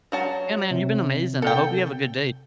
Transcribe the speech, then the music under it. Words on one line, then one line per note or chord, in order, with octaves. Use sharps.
Yeah, man, you've been amazing, I hope you have a good day.
F#3 F#4 A5
C3
A4 G5